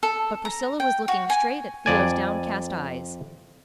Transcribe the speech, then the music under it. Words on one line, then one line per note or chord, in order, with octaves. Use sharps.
But Priscilla was looking straight at Theo's downcast eyes.
A4
A#5
G5
F#4
G#5
F2 D5 G#5